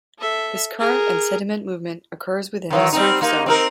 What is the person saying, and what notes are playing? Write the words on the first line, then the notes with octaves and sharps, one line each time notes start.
This current and sediment movement occurs within the surf zone.
A4 E5
G#4 A#4
D#3 E3 F#3
G3 C4 D#4
A#3 D#4
C4 D#4 A#4